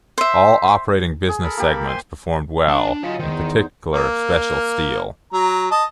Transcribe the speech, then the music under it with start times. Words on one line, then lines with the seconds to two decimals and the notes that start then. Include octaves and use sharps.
All operating business segments performed well, in particular special steel.
0.18 C5 E5
1.29 G#4
1.44 A4 A#4 B5
1.57 A#3 G4
1.88 C5 G#5 C6
2.68 D4
2.89 D4
3.03 F#3 D#4 F4 C#5 F5
3.19 E2 D#3 D#4 C5
3.93 A#3
5.33 F#3 A#5
5.71 D#5 A5